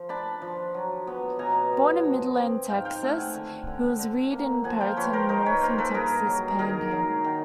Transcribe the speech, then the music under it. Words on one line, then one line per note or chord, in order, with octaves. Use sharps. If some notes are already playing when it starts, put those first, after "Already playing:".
Born in Midland, Texas, he was reared in Perryton in the northern Texas Panhandle.
Already playing: F3
D4 A5 B5
F3
F#3
B3
B2 G#5 A#5
B3
F3
C4
G#2 F5 G5
F5 G5
A3
F#5 G#5
D3
D3
D3
A#3
F3 F#5 G#5
F5 G5
F3 B4 C#5
A#4 C5
D#4 A#4 C5
B4 C#5
A#3 A#4 C5
A4 B4
G2 G#4 A#4
F#3
D#3 G#4 A#4
F#3
D#3